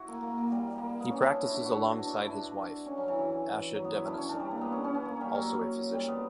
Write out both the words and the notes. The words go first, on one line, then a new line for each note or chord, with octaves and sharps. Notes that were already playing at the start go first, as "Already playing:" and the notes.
He practices alongside his wife, Asha Devanesen, also a physician.
Already playing: E4 F#4
A#3
A#3
A#3
G3
G3
A#3
A#3
B3
C#4
D4
E4
F#4
E4
F#4
D4
D4
D4
E4
D4
C#4
F#3
E3
E3
F#3
B3
E4
D4
C#4
D4
G3
A#3
B3
C#4
C#4
C#4
A#3
G3
F#3
G3
B3